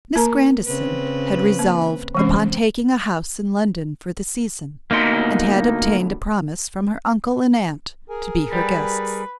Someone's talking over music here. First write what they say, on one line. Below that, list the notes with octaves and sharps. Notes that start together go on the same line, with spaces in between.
MISS GRANDISON had resolved upon taking a house in London for the season, and had obtained a promise from her uncle and aunt to be her guests.
A#3 A#4 A#5
C#3 C4 B4
A#3
C3 E3 G#3 C4 C#4
D2 B2 A#3 D#4 C6
G#4 A#4 G#5
G3 B4